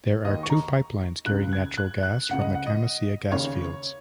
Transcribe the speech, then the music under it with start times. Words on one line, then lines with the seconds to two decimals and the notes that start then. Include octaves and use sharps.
There are two pipelines carrying natural gas from the Camisea gas fields.
0.25 D#2 D#3 D#5
0.43 C#6
0.50 A#5
1.26 C#2 C#3 F#6
1.53 G#6
1.78 F#6
2.03 F#6
2.29 C#2 C#3 F#5
2.41 D#5
2.55 F#5
2.67 D#5
3.31 D#2 C#3 C#5